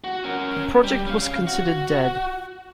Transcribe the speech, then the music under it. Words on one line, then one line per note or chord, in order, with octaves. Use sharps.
The project was considered dead.
F#4
C#4 A#4
G3
C#4 F5
F#4